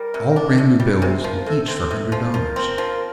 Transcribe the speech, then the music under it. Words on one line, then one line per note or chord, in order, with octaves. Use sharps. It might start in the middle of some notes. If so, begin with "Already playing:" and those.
"All brand new bills and each for a hundred dollars."
Already playing: G3 A#4
C3
D4
C3
G3
C3 C5
F3 A#4
C3 A4
C4 A4
C3
F3
F3 A#4
C4
F3